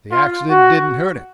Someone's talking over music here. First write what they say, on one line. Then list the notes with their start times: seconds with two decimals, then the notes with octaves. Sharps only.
The accident didn't hurt him.
0.11 F4
0.50 F#4